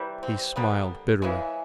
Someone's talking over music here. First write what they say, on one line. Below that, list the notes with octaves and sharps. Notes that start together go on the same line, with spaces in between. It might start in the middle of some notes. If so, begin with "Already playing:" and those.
He smiled bitterly.
Already playing: C3 E3 G3
C4
D3 G3 A#3 B3
C#3 E3 G#3